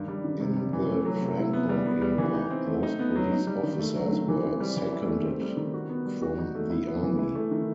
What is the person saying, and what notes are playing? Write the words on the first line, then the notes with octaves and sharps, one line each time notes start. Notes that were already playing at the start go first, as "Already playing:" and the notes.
In the Franco era, most police officers were seconded from the army.
Already playing: G2 D#3
G3
D#3
C3
G3
E3
A3
F#3
C3
E4
B3
G3
B3
G3
E3
D#4
C4
A3
D#4
B3
F#3
D#4
G3
D#3
A3
F#3
D#3
E3
C4
G3
E3
E4
A3
C4
G3
D#3
F#4
B3
G3
F#4
D#4
A3
E4
B3
E3
E4
A3
D#3